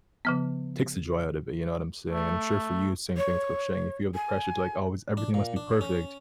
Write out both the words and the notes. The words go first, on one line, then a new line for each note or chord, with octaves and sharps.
takes the joy out of it, you know what I'm saying? And I'm sure for you, same thing with crocheting. If you have the pressure to, like, always everything must be perfect,
C#3 F3 B3
A3
C#5
G#5
D4
A#2
D4
C#4